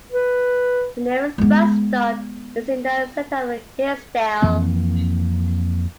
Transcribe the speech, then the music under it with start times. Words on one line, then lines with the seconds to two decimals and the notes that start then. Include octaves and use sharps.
The nearest bus stop is in the center of Hinsdale.
0.12 B4
1.38 G#3 B3
4.42 F2 E3 A#3 C4